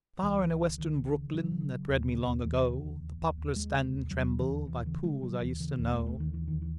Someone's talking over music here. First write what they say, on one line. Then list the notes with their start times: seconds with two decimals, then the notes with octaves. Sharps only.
Far in a western brookland That bred me long ago The poplars stand and tremble By pools I used to know.
0.22 C#2 E3
0.41 C#2
0.60 C#3
0.78 C#2 D#3
0.97 C#3
1.14 C#3
1.34 C#3 F#3
1.51 C#3
1.70 C#3
1.89 D#2
2.07 C#3
2.26 D#2
2.44 D#2 E3
2.63 C#3
2.82 D#2
3.00 D#2
3.18 D#2
3.38 D#2
3.55 D#2 G#3
3.74 C#3
3.93 D#2
4.11 D#2 F#3
4.30 C#3
4.40 E3
4.48 D#2
4.67 D#2 E3
4.86 C#3 E3
5.03 C#3 G#3
5.22 C#3 F#3
5.41 D#2 E3
5.60 C#3 E3
5.78 D#2 E3
5.92 D#2 A3
6.06 A3
6.15 D#2 D#3
6.33 D#2 E3
6.47 D#2 D#3
6.62 E3